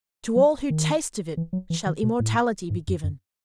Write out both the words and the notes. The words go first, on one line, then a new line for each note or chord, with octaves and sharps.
'To all who taste of it shall immortality be given.
F#3
D#3
E3
F#3
E3
D#3
B2
A2
G#2
F#2
F#2